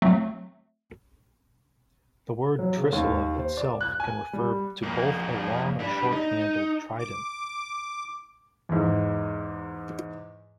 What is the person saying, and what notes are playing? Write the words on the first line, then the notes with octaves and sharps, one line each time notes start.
The word "trisula" itself can refer to both a long or short-handled trident.
F#3 A3 C4
F#3
C#3
D#2
C5
D5
F#6
G#5
G3
F2 A#3
G3 D4
D#4
D6
E2 G#2